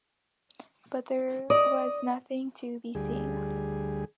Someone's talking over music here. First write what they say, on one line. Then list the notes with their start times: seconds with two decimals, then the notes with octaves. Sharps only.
But there was nothing to be seen.
1.50 D5 D#5
2.95 D2 G3 G#4